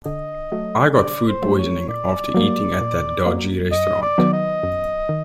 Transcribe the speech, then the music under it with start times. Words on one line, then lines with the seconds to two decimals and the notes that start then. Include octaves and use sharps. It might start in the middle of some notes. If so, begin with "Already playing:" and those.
I got food poisoning after eating at that dodgy restaurant.
0.05 D3 D#5
0.52 F#3 A3
0.97 D3 D5
1.28 C5
1.42 F#3 A3
1.58 C#5
1.88 A#2 D5
2.34 F#3 A#3
2.81 A#2
3.26 F#3 A#3
3.71 F#2 D#5
4.02 D5
4.18 D#3 F#3 B3
4.33 D#5
4.63 F#2
5.09 D#3